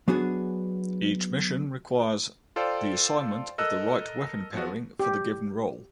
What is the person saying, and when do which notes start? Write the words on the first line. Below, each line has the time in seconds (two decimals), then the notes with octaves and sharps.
Each mission requires the assignment of the right weapon pairing for the given role.
0.08 F#3 B3 D4 F#4 G#4
2.56 F4 A4 C5 D5 F5 G5
3.58 A4 A#4 D#5 E6 F#6
4.53 F3 B3 F#4
5.00 G4